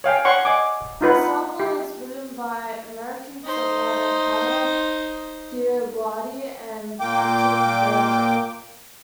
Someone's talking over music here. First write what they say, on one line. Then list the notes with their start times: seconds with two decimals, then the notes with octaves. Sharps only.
The song was written by American songwriter Kara DioGuardi and Patrik Berger.
0.04 C#5 F5 G5 G#5
0.25 C#5 D5 F#5 G5 C6 C#6
0.45 D#5 G#5 D6
1.01 D#4 F4 B4 F#5
1.60 G4
3.44 D#4 C5
7.00 A#2 A#3 G5 D6